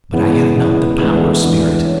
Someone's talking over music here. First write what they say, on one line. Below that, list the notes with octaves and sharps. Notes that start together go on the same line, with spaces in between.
But I have not the power, Spirit.
E2 C#3 G#3 B3 E4
E2 C#3 G#3 B3 E4
A2 E3 G#3 B3 D4
A2 E3 G#3 B3 D4
C#4